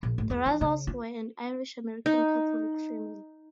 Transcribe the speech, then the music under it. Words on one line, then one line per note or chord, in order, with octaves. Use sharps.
The Russells were an Irish-American Catholic family.
A#1
A1
E2
E3
C#3
F4
D#4